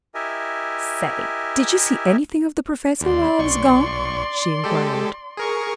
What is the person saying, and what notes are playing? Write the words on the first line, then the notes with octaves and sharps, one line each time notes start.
"Say! did you see anything of the professor while I was gone?" she inquired.
E4 G4 A#4 D#5 E5 G#5
D#2 D5 C6
B1 C#6
G#3 G4 A4
G#4 A#4 C#6